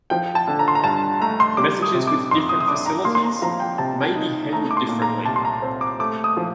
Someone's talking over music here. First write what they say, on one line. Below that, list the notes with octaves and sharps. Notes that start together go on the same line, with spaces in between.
Messages with different facilities may be handled differently.
F3 G5
A5
D3
A#5
C6
A#5
G2 A5
A3 A#5
C6
G3 D6
D#6
C3
D6
F2 C6
D#6
D#6
D4 D6
A#5
A#3 C6
C6
A#5
F3 A#5
G5
C3 A5
D#4
A3 A#5
D6
C6
A#2
A#5
C2 A5
C6
A#5
C4
D6
A3 D6
D#6
F3